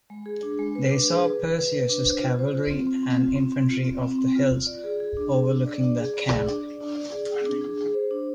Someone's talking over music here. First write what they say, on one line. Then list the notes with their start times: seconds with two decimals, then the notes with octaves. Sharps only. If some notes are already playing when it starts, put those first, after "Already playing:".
They saw Perseus' cavalry and infantry of the hills overlooking the camp.
0.10 G#3
0.26 G#4
0.43 D4
0.59 G#3
0.75 B4
0.92 D4
1.08 G#4
1.24 B4
1.40 B4
1.57 B4
1.72 B4
1.89 D4
2.06 C5
2.21 F4
2.39 C5
2.54 F4
2.71 C4
2.87 C4
3.03 C4
3.21 F4
3.36 C4
3.52 C4
3.69 F4
3.85 C4
4.02 C4
4.18 C4
4.35 F4
4.51 F4
4.67 D5
4.84 G#4
5.00 G#4
5.17 D4
5.33 G#4
5.50 D4
5.65 D5
5.81 D4
5.98 G#4
6.14 D5
6.31 G#4
6.47 D4
6.63 D5
6.80 D4
6.96 D5
7.12 G#4
7.30 G#4
7.46 D4
7.61 G#4
7.77 G#4
7.94 C5
8.11 D4